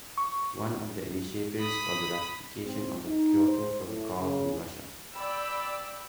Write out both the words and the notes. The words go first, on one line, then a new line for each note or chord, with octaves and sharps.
One of the initiators for the ratification of the Kyoto Protocol in Russia.
C#6
B5 D#6
C4
D#4
C5
A2
C#3
D5 G5 B5 E6